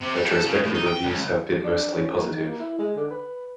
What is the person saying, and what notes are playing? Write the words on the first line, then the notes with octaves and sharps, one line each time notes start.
Retrospective reviews have been mostly positive.
C3
G3
A4
C#3
A2
D#4
G5
C#2
D4
C#4
A#3
D#3
A#3
E4
G#3
D3
B4